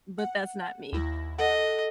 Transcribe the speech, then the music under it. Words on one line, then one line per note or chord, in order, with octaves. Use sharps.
but that's not me,
F#5
D#2 E4 A#6
A4 D#5 F#5